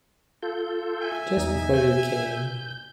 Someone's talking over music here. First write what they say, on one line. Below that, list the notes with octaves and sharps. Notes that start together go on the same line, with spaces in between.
Just before you came.
F4 A4 G6
E5 G#5
E2 D#4
G6